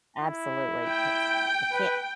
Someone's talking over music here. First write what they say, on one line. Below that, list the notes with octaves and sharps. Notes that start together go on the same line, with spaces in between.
Absolutely, 'cause I can't
E4
G5
B4